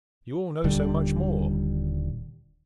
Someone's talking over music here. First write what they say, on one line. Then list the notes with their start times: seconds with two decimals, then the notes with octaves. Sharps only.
You all know so much more.
0.64 D#1 D3 G3